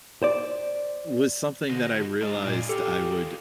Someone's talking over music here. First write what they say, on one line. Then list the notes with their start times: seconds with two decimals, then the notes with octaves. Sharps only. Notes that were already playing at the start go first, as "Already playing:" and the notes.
was something that I realized I would
0.23 C5 D5
1.71 D3 F#4 C5 D#5
2.22 G#3 D4 D#4 F4
2.45 A#2 F4 G#4 D5
2.69 G4 A4